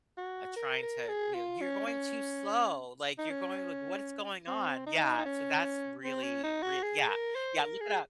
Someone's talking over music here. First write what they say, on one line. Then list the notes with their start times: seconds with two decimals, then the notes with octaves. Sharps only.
uh, trying to w "You're going too slow, like, you're going, like, what it's going on?" Yeah. So, that's really rea yeah, yeah, look it up.
0.17 F#4
0.56 A#4
0.82 A#4
1.08 G#4
1.34 F4
1.61 C#4
1.86 C#4
3.18 D#4
3.30 C#4
4.47 C4
4.86 D#4
5.18 D#4
5.25 C#4
6.04 C4
6.24 C#4
6.43 D#4
6.63 F#4
6.83 G#4
7.08 A#4
7.35 C5
7.61 A#4
7.81 G#4